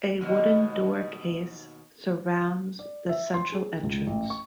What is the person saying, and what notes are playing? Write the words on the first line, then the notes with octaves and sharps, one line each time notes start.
A wooden door case surrounds the central entrance.
D#2 B2
D5
E5
C6
G#4
C#2
A1
C#6